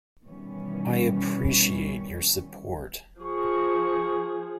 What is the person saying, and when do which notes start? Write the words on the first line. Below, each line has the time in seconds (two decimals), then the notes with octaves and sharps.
I appreciate your support.
0.24 B2 D#3 E3 G3 B3 C#4
3.20 F3 G#4 C#6